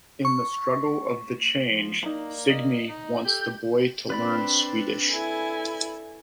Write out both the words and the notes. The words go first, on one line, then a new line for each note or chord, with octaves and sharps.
In the struggle of the change Signe wants the boy to learn Swedish.
C#6
F3
A#3 D#4 D5 A#5
D#5
D#4
G4 A4 G6
C4 D4 B4 D5 B5
E4 A4 G#5